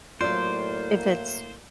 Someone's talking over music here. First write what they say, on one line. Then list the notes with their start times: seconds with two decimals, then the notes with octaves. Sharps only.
if it's
0.21 A2 F#3 A#3 F4 C5 D5